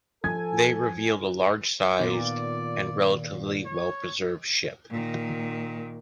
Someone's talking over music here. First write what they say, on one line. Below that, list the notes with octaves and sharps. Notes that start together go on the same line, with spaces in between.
They revealed a large-sized and relatively well-preserved ship.
F3 A4 G#5 G#6
A#2 D#3 B3 F4 D5
C#5
A#2 D#3